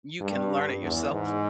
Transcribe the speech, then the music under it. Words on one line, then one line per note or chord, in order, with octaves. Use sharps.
you can learn it yourself.
G2
E2
G#2